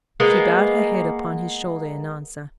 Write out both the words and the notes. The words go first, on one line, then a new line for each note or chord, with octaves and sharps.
She bowed her head upon his shoulder in answer.
G#3 A#3 B3